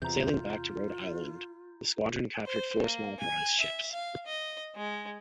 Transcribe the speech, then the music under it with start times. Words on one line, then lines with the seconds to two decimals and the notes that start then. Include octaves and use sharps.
Sailing back to Rhode Island, the squadron captured four small prize ships.
0.02 E2 C3 F4 A#5 G6
2.46 C5
2.80 A#3
3.20 G#5
3.60 E5
3.91 F5
4.26 D#5
4.76 G#3